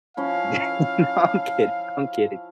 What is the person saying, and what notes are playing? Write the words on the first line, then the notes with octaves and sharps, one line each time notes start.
yeah, no, I'm kidding, I'm kidding.
F3 C#4 E4 F5